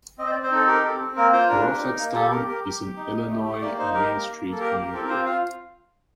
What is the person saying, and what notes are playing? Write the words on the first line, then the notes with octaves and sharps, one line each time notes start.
Prophetstown is an Illinois Main Street Community.
C4 D#5
C5
D5
C4
C5
D#4 A4
G4 A#4
C4 A4
C4
A#3 A#4
F4 C5
D4 A#4
G4
D#4
A#3
G4 A4
G4 A#4
G4 A#4
G4
G4
D#4
G4
A3
G4
A#3 D5
D#4 C5
G4 A#4
A#3
A#3
A#3
A4
G4 A#4
G4
C4 A4
A#4
F4 C5
F4 F5